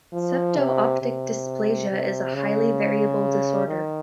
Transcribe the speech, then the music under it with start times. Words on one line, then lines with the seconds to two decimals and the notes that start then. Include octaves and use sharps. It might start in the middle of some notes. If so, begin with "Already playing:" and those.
Septo-optic dysplasia is a highly variable disorder.
0.13 F3
0.57 C3
1.03 C3
1.91 C3
2.35 C#3
3.67 D#3